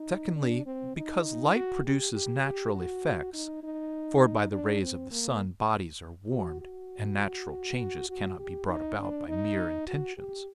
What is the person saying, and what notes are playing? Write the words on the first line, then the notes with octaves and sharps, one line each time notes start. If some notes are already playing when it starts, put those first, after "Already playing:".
Secondly, because light produces natural effects, for by the rays of the sun bodies are warmed, and natural changes cannot be brought about by mere intentions.
Already playing: D#4
D4
C4
D#4
F#4
G4
G4
G4
F#4
D#4
D#4
D4
C4
A#3
F#4
F#4
F#4
G4
D#4
D4
D#4
F#4
G4